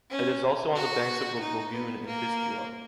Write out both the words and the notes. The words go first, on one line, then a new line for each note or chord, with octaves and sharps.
It is also on the banks of the lagoon in Vistula.
C#4
F#4
D#4
B3
A#3